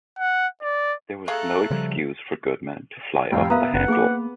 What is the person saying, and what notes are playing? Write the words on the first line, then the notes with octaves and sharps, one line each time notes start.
There was no excuse for Goodman to fly off the handle.
F#5
D5
A3 G#4 A4 F5 A#5 F#6
C#3 F3 G3
C2 F2 A2 F5 G5
B3 A#4 B4 E5 F5 A#5 D#6
F#1 B4 F#5
A#3 G#4 G#5 D6